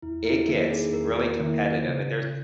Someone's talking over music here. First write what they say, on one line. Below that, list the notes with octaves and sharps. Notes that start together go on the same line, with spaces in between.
It gets really competitive, and there's
E2 E4
E4
D#3 A#3 D#4 E4
G#4
E2 A#4
D#3 A#3 E4
C#3